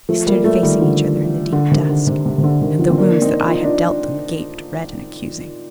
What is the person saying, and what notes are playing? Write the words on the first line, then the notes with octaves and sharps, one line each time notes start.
They stood facing each other in the deep dusk, and the wounds that I had dealt them gaped red and accusing.
F3 A3
G3 A#3
F3 A3
D#3 G3
D3 F3
D3
C3 D#3
D3
C3
C3
C3
D3
C3 D#3
D3 F3
C4
A#3 D4
D4
C4 D#4
F4
D#4
D4 F4